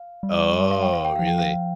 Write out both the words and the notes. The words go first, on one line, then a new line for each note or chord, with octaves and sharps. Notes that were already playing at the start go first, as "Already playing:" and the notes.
Oh, really?
Already playing: F5
G3
F5
G5
F5
G5
F3 F5
G5
F5